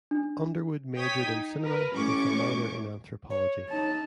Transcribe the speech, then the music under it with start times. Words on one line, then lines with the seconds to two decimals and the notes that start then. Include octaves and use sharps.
Underwood majored in cinema with a minor in anthropology.
0.11 D4
0.96 C#5 G5 D#6 G#6 B6
1.25 D#4
1.62 A#4 B4
1.95 A1 A2 C#4 C#6 D6
3.30 C#5
3.70 D#4 A5